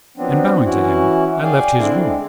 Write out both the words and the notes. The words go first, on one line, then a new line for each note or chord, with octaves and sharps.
And bowing to him I left his room.
F3 F#3 B3 C4 D4
E3 C#4 E4 F#4
G#4 D5 F5 G5 G#5
D3 C4 D4 E4
G#3